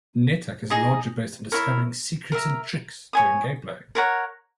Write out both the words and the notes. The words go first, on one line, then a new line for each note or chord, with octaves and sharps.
"NetHack" is largely based on discovering secrets and tricks during gameplay.
D#4 G#4 D#5
E4 A#4 C#5
A#4 E5 A#5
C#5 G#5 D#6
A#4 C#5 F#5 A#5